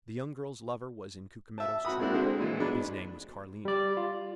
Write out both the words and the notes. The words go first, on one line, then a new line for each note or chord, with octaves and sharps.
The young girl's lover was in Cucumetto's troop; his name was Carlini.
E5 A5
C4 F#4 B5 D#6
G#3 A#3 C4 D4 E4 F#4
D3 G#3 C4 C5
A#2 E3 G#3
F#3 G#3 B3 D4 B4
G3 D5
F4